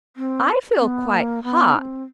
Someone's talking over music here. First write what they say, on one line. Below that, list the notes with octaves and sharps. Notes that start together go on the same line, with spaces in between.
I feel quite hot.
C4
C4
B3
A#3
B3
D#4
C4